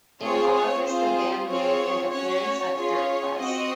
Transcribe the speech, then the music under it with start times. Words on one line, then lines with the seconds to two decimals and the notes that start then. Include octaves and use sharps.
In August, the band made an appearance at Dirt Fest.
0.21 C4 F4 G#4 C#5
0.54 C#5
0.85 C4 F4 G#4 C5
1.48 C4 F4 G#4 C#5
2.11 C#4 F#4 C#5
2.75 C#4 F4 G#4 C#5
3.38 C4 F#4 D#5